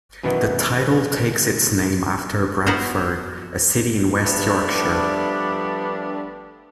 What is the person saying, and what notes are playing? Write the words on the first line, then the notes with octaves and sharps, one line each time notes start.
The title takes its name after Bradford, a city in West Yorkshire.
F#2 B2 D#3 E3 B3
B3 E4 F#4 A#4 C5
F3 G3 A3 B3 D4